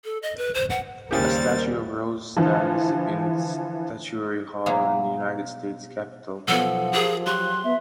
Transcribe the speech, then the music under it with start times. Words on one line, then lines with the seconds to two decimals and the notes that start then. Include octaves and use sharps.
A statue of Rose stands in Statuary Hall in the United States Capitol.
0.05 A4
0.22 D#5
0.37 B4
0.54 C5
0.70 F#5
1.11 D#2 C#3 G3 G4 A#4 C5 A6
2.37 D3 E3 F3
4.66 B2 F#3 A#3 E4 F4 G#4
6.48 B1 F3 F#3 B3 A4 F#5
6.93 F4 G4 G#4 A#4
7.26 F#3 G4 C6 F#6
7.64 B3 E5